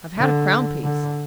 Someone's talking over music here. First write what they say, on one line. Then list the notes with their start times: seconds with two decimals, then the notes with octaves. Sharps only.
I've had a crown-piece.
0.18 D3
0.83 D3